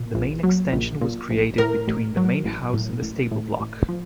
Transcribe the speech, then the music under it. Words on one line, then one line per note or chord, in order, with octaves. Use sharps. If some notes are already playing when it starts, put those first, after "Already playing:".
The main extension was created between the main house and the stable block.
Already playing: A#2
A#1
F#3
A#1
A#2
A#1
A2 A#4
A1
F#3
A1
A2
A1
A2
A1
F3